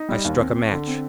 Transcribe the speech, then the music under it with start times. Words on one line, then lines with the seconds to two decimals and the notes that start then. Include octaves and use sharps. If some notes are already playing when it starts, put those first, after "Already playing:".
I struck a match.
Already playing: D#4
0.09 G3
0.25 D#2
0.40 C4
0.56 C4
0.71 D3
0.87 C4